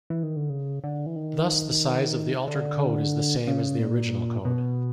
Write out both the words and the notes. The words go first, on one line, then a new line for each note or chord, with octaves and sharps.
Thus the size of the altered code is the same as the original code.
E3
D#3
D3
C#3
D3
E3
D#3
D3
C#3
A#2
B2